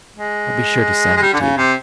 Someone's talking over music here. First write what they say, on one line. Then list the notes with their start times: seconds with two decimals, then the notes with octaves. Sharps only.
I'll be sure to send it to you.
0.17 G#3
1.17 G#3
1.22 G3
1.33 D3
1.40 C#3
1.57 C3